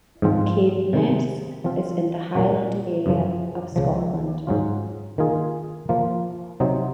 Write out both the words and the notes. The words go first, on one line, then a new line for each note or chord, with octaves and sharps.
Caithness is in the Highland area of Scotland.
G#2 F3 C4 F4
C3 D#3 G#3
F3 C4 F4
A#2 F#3 A#3 C#4 F#4
F#2 C#3 F3
C#2 C#3 F3
G#2 F#3 C#4 F4
D#3 A#3 F4 G#4
F3 A#3 F4
C3 F#3 C4 D#4